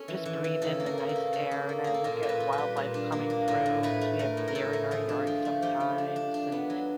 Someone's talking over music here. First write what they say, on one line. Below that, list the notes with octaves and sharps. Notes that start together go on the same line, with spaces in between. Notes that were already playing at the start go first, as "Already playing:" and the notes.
just breathe in the nice air and I look at wildlife coming through 'cause we have deer in our yard sometimes and
Already playing: C#4 A4
E3
E3
E3
C#3 A4
A#3
A#4
C#3
A4
C#3
C#3 A4
A#3
C#3
A#3 G#4
A4
A#2 A#4
A#2
B4
A#2
B4
G3
A#2
D4
A#3
D4
A2 A#4
A2
A3 B4
A3
A3 A#4
A2
A#4
A2 A4
A3
F3 G#4
D4
F3
A3
F3 G4
F3
D4
D4
D4
B3
F#3